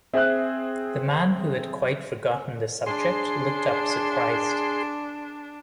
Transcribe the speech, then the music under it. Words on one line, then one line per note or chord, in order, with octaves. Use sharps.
The man, who had quite forgotten the subject, looked up surprised.
C4 G#4 C5 E5 F#6
D4 G#4 C6